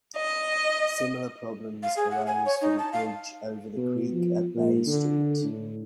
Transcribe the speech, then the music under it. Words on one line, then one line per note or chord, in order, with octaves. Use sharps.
Similar problems arose for the bridge over the creek at Bay Street.
D#5
F5
G#4
F#5
G#5
C#5
D#4
A5
F5
B2
F3
A#2
D3
A2